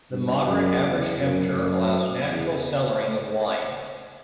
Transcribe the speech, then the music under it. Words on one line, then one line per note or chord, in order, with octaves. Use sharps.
The moderate average temperature allows natural cellaring of wine.
G2
F#2
E2
F#2
F#2
E2